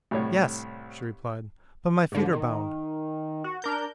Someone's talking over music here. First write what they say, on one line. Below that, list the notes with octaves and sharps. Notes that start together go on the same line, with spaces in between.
"Yes," she replied, "but my feet are bound."
C2 A2 C#5
G#2 D3
D#3
F#4
D4 A#4 G6